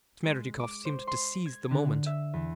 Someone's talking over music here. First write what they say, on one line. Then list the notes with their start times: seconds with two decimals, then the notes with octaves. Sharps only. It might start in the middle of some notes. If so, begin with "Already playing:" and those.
Smerdyakov seemed to seize the moment.
0.25 G#3
0.60 D6
0.85 C5
1.07 C6
1.46 G#6
1.71 D3
2.06 E5
2.33 E2